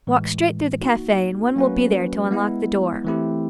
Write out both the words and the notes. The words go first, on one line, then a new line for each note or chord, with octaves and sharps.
Walk straight through the cafe and one will be there to unlock the door.
A2 E3 G#3
A#3 D#4 F#4
F#3 A#3 C#4 F#4 B4
G#3 B3 E4
E3 A3 C4 E4 G4